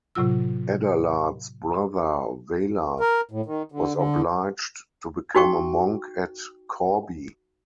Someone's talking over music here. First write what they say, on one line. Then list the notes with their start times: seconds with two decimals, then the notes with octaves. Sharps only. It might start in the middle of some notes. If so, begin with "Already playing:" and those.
Adalard's brother Wala was obliged to become a monk at Corbie.
0.15 A2 C3 F#3 F4 E6
3.00 A#4
3.31 A2
3.46 D#3
3.72 D3
3.95 D3
5.35 D#4 F#4 G5 C#6